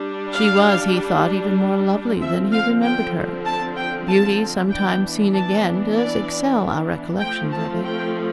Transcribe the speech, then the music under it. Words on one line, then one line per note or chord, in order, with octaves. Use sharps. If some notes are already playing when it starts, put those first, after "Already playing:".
She was, he thought, even more lovely than he remembered her. Beauty sometimes seen again does excel our recollections of it.
Already playing: G3 D4
F5
D3 F3 C4 E5
F5
G5
A5
G5
A5
E3 B3 D4 G5
A5
D5
F3 A3 C4 G5
A5
G5